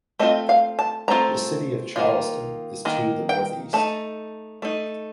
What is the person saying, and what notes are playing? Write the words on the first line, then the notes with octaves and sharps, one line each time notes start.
The city of Charleston is to the northeast.
A3 C4 F4 D#5
F5
A5
A3 C4 F4 A#5
D#3 A#3 F4
D#3 A#3
G5
A3 D#4 A5
A3 D#4